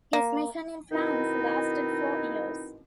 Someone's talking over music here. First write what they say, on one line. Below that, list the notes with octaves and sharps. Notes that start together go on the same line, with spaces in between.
His mission in France lasted four years.
A#3
B2 D#3 C4 D#4 E4